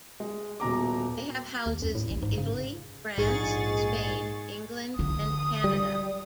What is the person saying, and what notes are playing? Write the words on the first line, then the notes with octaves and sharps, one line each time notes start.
They have houses in Italy, France, Spain, England, and Canada.
G#3
D#1 B2 A#5 D6
D#2
F#2
A2
A1
G#2
C#3
A#1 G#2 G#4 C#6 A6
D3 D#6
G3